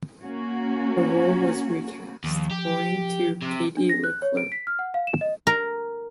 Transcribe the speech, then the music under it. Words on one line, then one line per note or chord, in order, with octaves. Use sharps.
The role was recast, going to Katie Leclerc.
A#3 C#4 F#4
D#2 F3
G4
C3
D4
A#6
F#6
C#5
D7
B6
F6
F#5
F5
E7
D#5
A#4